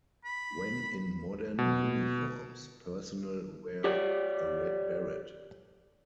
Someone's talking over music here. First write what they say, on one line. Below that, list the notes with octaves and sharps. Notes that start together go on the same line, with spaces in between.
When in modern uniforms personnel wear a red beret.
B5
B2
G4 C#5 D5